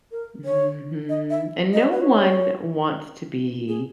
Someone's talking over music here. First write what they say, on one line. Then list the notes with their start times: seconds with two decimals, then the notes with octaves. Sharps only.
Mhm. And no one wants to be
0.12 A#4
0.45 C#5
1.09 D#5
1.30 E5
1.73 D#5
1.83 C#5
1.92 B4
2.01 C#5
3.68 G#4